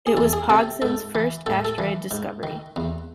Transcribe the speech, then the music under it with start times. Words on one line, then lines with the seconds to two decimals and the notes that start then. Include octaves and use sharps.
It was Pogson's first asteroid discovery.
0.07 G#4
0.17 E2 A4
0.33 G#4
0.50 C3 A4
0.82 G#2 A4
1.15 E3
1.46 A2 A4
1.65 A4
1.78 E3
2.11 G#2
2.43 D#3
2.76 E2